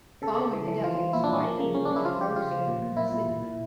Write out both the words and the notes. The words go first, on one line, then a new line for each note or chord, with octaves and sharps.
Following the death of his wife he moved to Roseville in Sydney.
C#3 A4
C#3
E3
E3
F3 F4
F3
A#2 E4
D4
A#2 C#4
F3 A#3
C#3 A#3
C#3 C#4
D4
C#3
E4
F3 F4
C#3 G4
C#3 F4
F3
A#2
A#2
A#2 E4
A#2
A#2
A#2